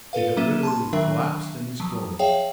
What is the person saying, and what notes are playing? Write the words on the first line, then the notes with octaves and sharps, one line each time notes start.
He had literally collapsed in his clothes.
F4 A4 B4 F5
F#3 A#3 C#4 E5 D#7 E7
A5 B5 C6
D#3 F#3 D4 A#4 E5
F3 F#3
G#4 C#5 E5 F5 G5